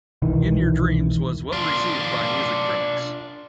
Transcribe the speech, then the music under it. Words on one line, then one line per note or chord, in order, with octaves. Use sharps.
"In Your Dreams" was well received by music critics.
E1 C2 D#3 E3
D4 F4